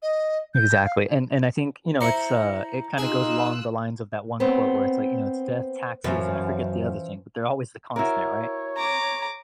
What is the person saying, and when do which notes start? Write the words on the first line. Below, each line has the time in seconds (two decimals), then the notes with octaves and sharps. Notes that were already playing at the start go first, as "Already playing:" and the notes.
Exactly, and and I think, you know, it's, uh, it kinda goes along the lines of that one quote where it's like, you know, it's, "Death, taxes" And I forget the other thing, but they're always the constant, right?
0.02 D#5
0.54 G6
0.83 F5
2.01 E4 C5 A#5 C#7
2.98 D#4 F4 G#4 E6 F#6
4.40 B3 C4 C5 C#5
6.04 F#2 E3 F3 C#4
7.96 E4 F#4 A#4 C#5
8.77 A#5 D6